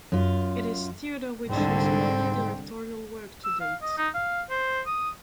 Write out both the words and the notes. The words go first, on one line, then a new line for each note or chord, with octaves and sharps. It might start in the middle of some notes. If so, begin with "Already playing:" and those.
It is Theodore Witcher's only directorial work to date.
F#2 F4
C2 G#2 D3 C4
E6
F5
D#5
D#4
F5
C5
D#6